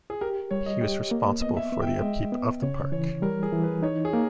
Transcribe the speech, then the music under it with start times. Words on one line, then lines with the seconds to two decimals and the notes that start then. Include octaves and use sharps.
He was responsible for the upkeep of the park.
0.10 G#4
0.21 G4 A#4
0.51 G3 C#5
0.66 D#5
0.81 G4
1.11 A#3
1.41 B3 D#5
1.57 E5
1.72 B3
1.81 G5
1.87 E5
2.02 G#3 D#5
2.32 B3
2.62 C#3 C#5
2.92 E3 C#5
3.22 G3 A#4
3.43 G#4
3.52 E3
3.63 B4
3.83 D#4 C#5
4.05 G#4
4.13 A#3 A#4